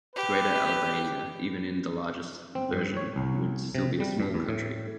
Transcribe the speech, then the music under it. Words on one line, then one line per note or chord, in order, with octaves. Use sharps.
Greater Albania, even in the largest version, would still be a small country.
G4 B4
C4
G2
C#5
C2
C3
G3
G2
E2
A2